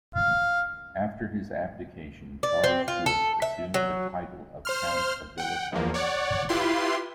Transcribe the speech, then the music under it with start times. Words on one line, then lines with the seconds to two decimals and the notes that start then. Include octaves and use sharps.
After his abdication Charles Louis assumed the title of Count of Villafranca.
0.16 F5
2.43 D5
2.64 C4
2.88 F4
3.06 A4
3.42 E5
3.74 F#3
4.65 C5 C6 F6
5.38 F#5 G5
5.73 E2 F3 A#3
5.94 C#5 D5 F#5
6.49 E4 F4 G4 B4 C6